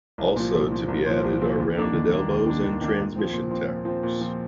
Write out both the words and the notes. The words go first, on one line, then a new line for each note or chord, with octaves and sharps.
Also to be added are rounded elbows and transmission towers.
C2
A#2 F3
C2
A#2 F3
C2
A#2 F3
C2
A#2 F3
D#2
D#3 A#3 D4
D#2
D#3 A#3 D4
D#2
D#3 A#3 D4
D#2
D#3 A#3 D4
A#2
F3 C4
A#2
F3 C4
A#2
F3 C4
A#2
F3 C4